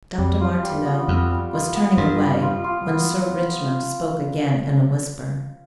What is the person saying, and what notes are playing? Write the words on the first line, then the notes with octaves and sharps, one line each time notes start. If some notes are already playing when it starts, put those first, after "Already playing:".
Dr. Martineau was turning away when Sir Richmond spoke again in a whisper.
F2 G3
F4
G3
B3
F2 B3
G3
F4
B3
G2 F4
G3
F4
F4
B3